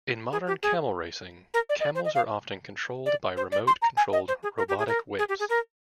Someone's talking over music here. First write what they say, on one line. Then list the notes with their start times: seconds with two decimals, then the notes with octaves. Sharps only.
In modern camel racing, camels are often controlled by remote controlled robotic whips.
0.32 G#4
0.47 G4
0.63 G#4
1.54 A#4
1.69 D5
1.80 D#5
1.84 D5
1.95 C5
2.05 D#5
2.15 F5
3.06 D5
3.37 C5
3.52 D5
3.67 C6
3.82 A#5
3.97 G#5
4.13 D#5
4.28 C5
4.43 G#4
4.58 A#4
4.69 G4
4.79 G#4
4.88 A#4
5.19 G#4
5.29 G4
5.40 G#4
5.50 A#4